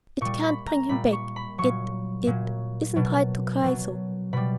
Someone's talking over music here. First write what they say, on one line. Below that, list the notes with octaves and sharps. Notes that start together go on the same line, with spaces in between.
It can't bring him back. It--it--isn't right to cry so.
A#2 G3 C#6
B5
A#5
A#2 G3 B5
C#6
B5
A#2 F#3 C#6
A#2 F#3
B2 F#3
B2 F#3
B2 G3 B5